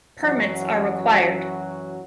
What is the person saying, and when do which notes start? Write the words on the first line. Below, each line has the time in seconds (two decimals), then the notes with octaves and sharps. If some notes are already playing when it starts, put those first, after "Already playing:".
Permits are required.
0.22 F#2 E3 F#3 F#4